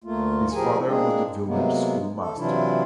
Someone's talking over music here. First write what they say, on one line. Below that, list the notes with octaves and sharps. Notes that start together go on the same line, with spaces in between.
His father was the village schoolmaster.
D2 A3 A#3 F4
A2 F3 G4 G#4 A#4 G#5
G#3 A#3 C4 D4 G#4
C3 F#3 G#3 A#3 B3
A4
C3 E3 F#3 D4 E4 F4